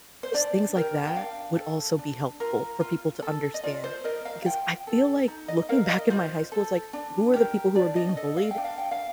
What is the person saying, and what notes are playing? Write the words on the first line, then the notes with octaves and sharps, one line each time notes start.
just things like that would also be helpful for people to understand, because I feel like, looking back in my high school, it's like, who are the people who are being bullied?
C5
D4 D5
G4 A#4
G5
D4 F5
A4
D4
F4 A#4
F4
A4
D#5
F4 D5
C5
A#4 D#5
F5
F4 G5
A4
D#4
D#5
A#4 F5
D#5
F4 C5
A4
D4
G4 A#4
D4 D5
D#5
A4 D#5
F5
G5
D4
F5
G5
F5